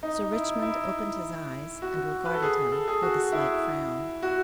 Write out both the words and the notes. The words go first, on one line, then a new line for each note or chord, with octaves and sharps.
Sir Richmond opened his eyes and regarded him with a slight frown.
D#4
E4
E4
F#4
B4
A4
G#4
A4
G#4
F#4
E4
F#4